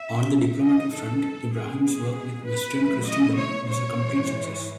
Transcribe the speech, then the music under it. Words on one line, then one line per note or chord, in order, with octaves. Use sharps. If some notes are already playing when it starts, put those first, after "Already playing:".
On the diplomatic front, Ibrahim's work with Western Christendom was a complete success.
Already playing: E5
F#2 E3 G#3 D#4
D#5
A4
E2 B2 G#3 B3 G#4
G#4
B4
E2 C#3 F#3 A3 E4
D#5
C#5
C#5
G#2 E3 G#3